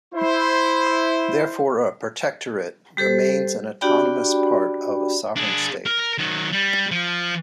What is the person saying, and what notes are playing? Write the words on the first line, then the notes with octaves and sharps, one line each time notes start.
Therefore, a protectorate remains an autonomous part of a sovereign state.
E4 C5
G3 G4 A4 C5
D4 F#4 G4 D5 G5 B5
D4 G#4
A#4
D#3 F#3
G3
F3